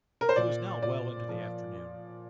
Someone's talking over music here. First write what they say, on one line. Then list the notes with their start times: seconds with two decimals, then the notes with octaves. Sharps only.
It was now well into the afternoon.
0.21 A#4
0.29 C5
0.36 A#2 D5
0.83 A#2 D5
1.29 F3
1.76 F4